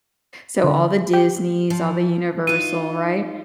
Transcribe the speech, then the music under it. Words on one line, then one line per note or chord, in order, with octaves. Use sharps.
So, all the Disney's, all the Universal, right?
D3
G4
F3
D#4 F4 D#7